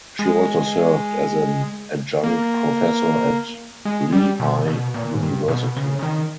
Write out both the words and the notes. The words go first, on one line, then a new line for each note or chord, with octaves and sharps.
She also served as an adjunct professor at Lehigh University.
G#3
A#3
G#3
G3
B2
B2
A#2
G#2
G2
B2
C#3
C#3
D#3